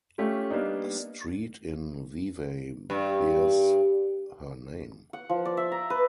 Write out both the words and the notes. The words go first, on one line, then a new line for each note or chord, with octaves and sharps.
A street in Vevey bears her name.
A3 C#4 F4 G4
G3 A#3 B3 D4 D#4
G2
F#5
F3
D5
E5
A#5
B4